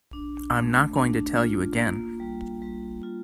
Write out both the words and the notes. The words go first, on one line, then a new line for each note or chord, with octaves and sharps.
I’m not going to tell you again.
D4
A3
D4
F4
A#3
G3
G3
F4